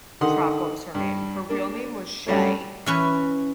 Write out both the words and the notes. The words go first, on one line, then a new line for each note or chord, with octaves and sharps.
crap, what was her name? Her real name was Shay,
D3 D#3 F#5 C6 D#6
G2
A#3 D4
G2 F#3 G3 A3 C#4
E3 C#4 B4